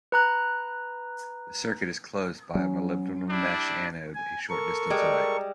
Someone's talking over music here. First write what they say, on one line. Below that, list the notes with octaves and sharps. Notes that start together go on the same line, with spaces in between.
The circuit is closed by a molybdenum mesh anode a short distance away.
B4 A#5 F#6
F#3 C4 C#4
G3 D4 E4
G#5
A4 A#4 C#6
G3 G#3 G5